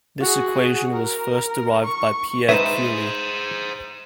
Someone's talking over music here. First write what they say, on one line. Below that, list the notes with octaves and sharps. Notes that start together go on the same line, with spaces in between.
This equation was first derived by Pierre Curie.
F#4 G#4
A#4
C#6
G#3 D#4 G#4 B4 C5 E5 D#7 E7